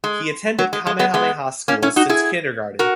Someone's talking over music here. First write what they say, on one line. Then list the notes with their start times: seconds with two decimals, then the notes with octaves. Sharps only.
He attended Kamehameha Schools since kindergarten.
0.04 G#3
0.59 F#3
0.73 G#3
0.87 G#3
0.99 G#3 B3
1.14 G#3 B3
1.68 A#3 C#4
1.82 C#4 E4
1.96 D#4 F#4
2.09 E4 G#4
2.79 F#4 A#4